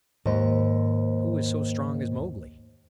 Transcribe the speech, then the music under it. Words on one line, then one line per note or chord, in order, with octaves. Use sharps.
Who is so strong as Mowgli?
D#2 G#2 C5